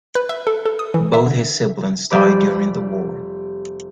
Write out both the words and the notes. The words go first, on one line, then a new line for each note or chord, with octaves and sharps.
Both his siblings died during the war.
B4
E5
A4
A4
D#6
E3
E5
D3
F1 G3 G4 D5 B5